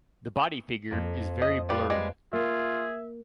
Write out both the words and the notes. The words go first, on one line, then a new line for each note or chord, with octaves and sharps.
The body figure is very blurred.
F2 A#3
D#5
F3 G3 B4 F5
G3 G#3
A#3 F4 G#4 E5